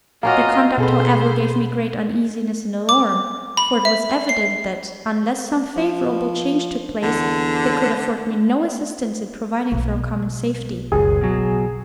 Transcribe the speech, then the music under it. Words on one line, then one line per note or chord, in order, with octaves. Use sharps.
Their conduct, however, gave me great uneasiness and alarm; for it was evident that, unless some favourable change took place, they could afford me no assistance in providing for our common safety.
A#3 C#4 F4 F#4 D#5 F5
B2 G#4 A4 B4 C5
D6
B5
E5
C7
F3
E2 D3
B1 A#3
F#1 C#2 G#4
B2 F#3